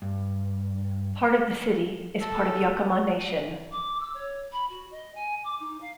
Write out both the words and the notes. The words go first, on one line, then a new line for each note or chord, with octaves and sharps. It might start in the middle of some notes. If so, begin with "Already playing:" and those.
Part of the city is part of the Yakama Nation.
G2
A4
D6
E6
C#5
B5
F#4
D#5
G#5
D6
D#4
F5